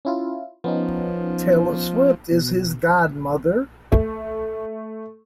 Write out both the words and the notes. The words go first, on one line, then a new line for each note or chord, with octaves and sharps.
Taylor Swift is his godmother.
C#4 E4 F4
F3 B3 C#4 D#4
B2
A3